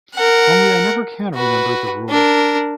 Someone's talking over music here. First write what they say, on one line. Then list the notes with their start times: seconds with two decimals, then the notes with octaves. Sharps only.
Only I never can remember the rule.
0.14 A#4 F#5
1.34 F#4 B4
2.09 D4 A#4